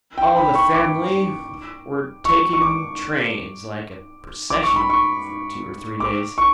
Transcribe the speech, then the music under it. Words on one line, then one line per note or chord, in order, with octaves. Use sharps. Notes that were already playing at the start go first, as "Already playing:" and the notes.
All the family were taking trains, like a procession, for two or three days.
G5
B5
C#6
D6
C#6
C#6
D6
D6
C#6
B5
C#6
D6
C#6